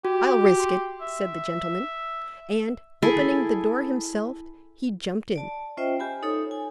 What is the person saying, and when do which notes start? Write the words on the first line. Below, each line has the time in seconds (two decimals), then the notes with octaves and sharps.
"I'll risk it," said the gentleman; and, opening the door himself, he jumped in.
0.05 F#4 G4
0.60 C6
1.01 E5
3.02 E4 G#4 A4
5.36 D5 A5
5.77 C#4 F4 C5 D#5 E5 G5
6.00 G4 G#5 B5
6.23 D#4 A4 C#5 D#6
6.51 G#5